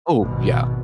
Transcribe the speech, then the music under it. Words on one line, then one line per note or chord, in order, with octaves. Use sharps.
Oh, yeah.
G#1 B2